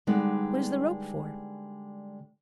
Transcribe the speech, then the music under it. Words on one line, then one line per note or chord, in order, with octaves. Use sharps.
"What is the rope for?"
D3 G3 G#3 B3 D#4